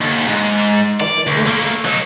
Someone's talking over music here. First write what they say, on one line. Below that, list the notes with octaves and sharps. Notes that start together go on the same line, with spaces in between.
Okay, yeah, yeah.
D#2 D3
G#2
D5
D2
A3 A#3
F#3 D#4